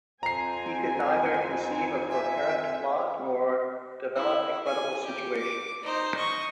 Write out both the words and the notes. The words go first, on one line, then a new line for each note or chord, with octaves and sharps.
He could neither conceive a coherent plot, nor develop a credible situation.
F2 C4 G#5 A#5 C7
E5
E4
G#5
G4
D6
D#4 C5
D#5 C#6